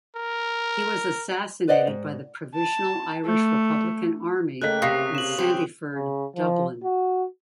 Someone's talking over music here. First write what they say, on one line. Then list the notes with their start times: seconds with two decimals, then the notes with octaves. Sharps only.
He was assassinated by the Provisional Irish Republican Army in Sandyford, Dublin.
0.16 A#4
1.68 B4 C5 D5 D#5 F#5
1.87 G#2
2.56 A5
3.26 A3
4.62 C#3 A3 A#3 D#5 G5 F#6 B6
4.82 C3 F5 C#6 D#6 A#6 C7
5.15 E7 F#7
5.38 G#3 C4 G4
5.94 C#3
6.36 F3
6.84 F#4